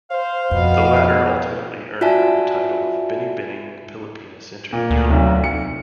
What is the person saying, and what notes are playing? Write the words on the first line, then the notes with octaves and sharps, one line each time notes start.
The latter ultimately earned her the title of Binibining Pilipinas International.
C5 F5
F2 B2 B3
F4 F#4 D5 E5 G#5 A5
A#2
D2
B1 C3
C#7